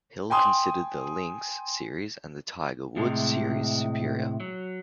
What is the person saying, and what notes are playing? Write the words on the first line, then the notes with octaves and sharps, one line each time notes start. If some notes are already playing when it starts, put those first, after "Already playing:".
Hill considered the "Links" series and the "Tiger Woods" series superior.
G5 G#5 C6 D#6
A2 C3 G#3
F#3